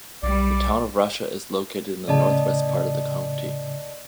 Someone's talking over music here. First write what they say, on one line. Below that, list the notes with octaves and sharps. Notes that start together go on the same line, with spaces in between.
The Town of Russia is located in the northwest part of the county.
B1 G3 D5
A2 C#3 D5 D#5 A5